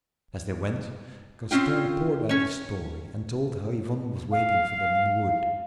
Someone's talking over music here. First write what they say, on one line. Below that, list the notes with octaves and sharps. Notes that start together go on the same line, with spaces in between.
As they went, Gaston poured out his story, and told how Yvonne was waiting for them in the wood.
C4 C#4 F4 G5
C#4 C#5
F5